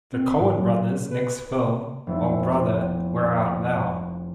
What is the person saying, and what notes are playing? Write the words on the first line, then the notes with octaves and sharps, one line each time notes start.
The Coen brothers' next film, O Brother, Where Art Thou?
C4
G#2
F#3
C#3
B4
F1 B3 E4